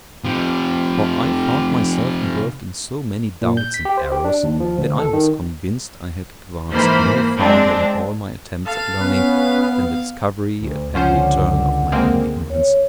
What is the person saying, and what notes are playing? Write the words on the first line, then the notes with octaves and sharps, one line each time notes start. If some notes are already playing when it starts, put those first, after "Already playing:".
For I found myself involved in so many doubts and errors, that I was convinced I had advanced no farther in all my attempts at learning, than the discovery at every turn of my own ignorance.
C3 F3
A#2
G6
B6
G4
C5
G4
D4
D#2
F3
D2
A4
D#3
G#2 E3 A#3 C5 B5
G#3 C4 D4
A4 F5
B3 C#4 B4
D2
C#2 D3 F3 C#4 C5 F#5
G#3 A#3 C4
C#5